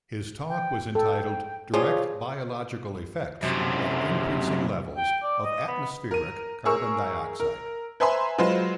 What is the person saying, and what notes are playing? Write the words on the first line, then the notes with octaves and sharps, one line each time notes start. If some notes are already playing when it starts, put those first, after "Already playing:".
His talk was entitled Direct Biological Effects of Increasing Levels of Atmospheric Carbon Dioxide.
G5
A4 G5
F3 G3 F4 G#4 C#5
F#2 C3
G5
D5
D#5
B3
A#4 D#7
G#4 A#4 C#6 E6
A#4
B4 C5 E5 G#5 A#5 C6
F#3 G#3 F4 B4 C5